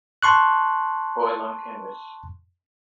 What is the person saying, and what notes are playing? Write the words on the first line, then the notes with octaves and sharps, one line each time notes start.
Oil On Canvas.
A5 C6 C#6 F#6